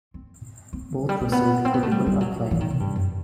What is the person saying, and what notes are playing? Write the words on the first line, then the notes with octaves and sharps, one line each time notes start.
Both received critical acclaim.
C4
C4
F#3
G3
A3
B3
C4
B3
A3
G3
G3
F#3
E3
D#3
C3
G2
F#2